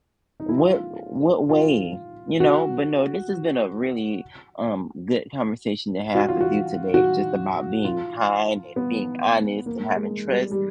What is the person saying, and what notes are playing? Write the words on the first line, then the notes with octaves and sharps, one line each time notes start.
what what way, you know, but no, this has been a really, um, good conversation to have with you today, just about being kind and being honest and having trust,
D#4
E4
F4
F4
F#4
F#4
F4
F#4
F#4
F4
B3
A#3
G#3
G3
G3